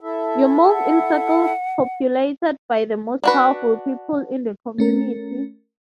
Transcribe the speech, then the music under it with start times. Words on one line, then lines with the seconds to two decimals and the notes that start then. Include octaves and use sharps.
You move in circles populated by the most powerful people in the community.
0.01 E4 A4 E5
0.73 F#5
3.24 D4 F#4 B4
4.78 A3 C#4 A#4